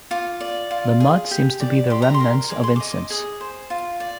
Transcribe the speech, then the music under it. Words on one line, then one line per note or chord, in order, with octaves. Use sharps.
The mud seems to be remnants of incense.
F4 D6
D5
F4
G#4
G4
D5
G4 C6
A#5
C6
A#4
G#4 D6
C6
D#5 D6
G#4 D#6
C5
F4
D5